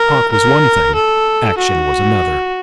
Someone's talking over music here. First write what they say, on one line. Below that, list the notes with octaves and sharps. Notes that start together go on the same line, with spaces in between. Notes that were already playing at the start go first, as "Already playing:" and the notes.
Talk was one thing, action was another.
Already playing: A#4
A#4
A4
F#4